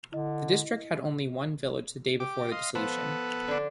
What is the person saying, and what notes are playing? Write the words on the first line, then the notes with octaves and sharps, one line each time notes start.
The district had only one village the day before the dissolution.
D3 E4 D#5
G4 D6
D#5 F5 C6
F3 B3 A4 B4
D3 D4